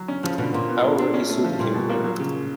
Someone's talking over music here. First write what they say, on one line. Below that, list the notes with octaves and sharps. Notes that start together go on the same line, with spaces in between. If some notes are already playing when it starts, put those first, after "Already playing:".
However, he soon became a critic.
Already playing: F#3
C#4
C#3 F3
B2 D3
A#2 A#3
B3
G#3
D4
C#4
A3
F3
A#2 G3
B2
A#3
F#3
C#3